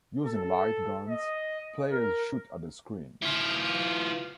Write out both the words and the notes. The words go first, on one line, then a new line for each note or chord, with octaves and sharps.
Using light guns, players shoot at the screen.
A4
D#5
A#4
E3 F4